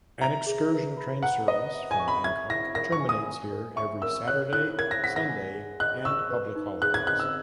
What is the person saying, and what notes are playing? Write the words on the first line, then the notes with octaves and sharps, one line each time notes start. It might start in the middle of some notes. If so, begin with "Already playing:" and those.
An excursion train service from Bangkok terminates here every Saturday–Sunday and public holidays.
E5 A#5
G#4
B4
B5
F#5 A#5
B4 D#5
E5
G#5
C#6
B5
E5 G#6
E4 A#6
A#4 A#6
C#6
G#5
D#6
G#5
A#4
E5 C#6
A#4 E6
C#5 F#6
E4 F#6
A#4 G#6
A#6
F#5 B6
A#6
G#5
G#4
D#5 F#6
C#6 E6
B4
D#4
G#4 F#6
G#6
D#5 F#6
E6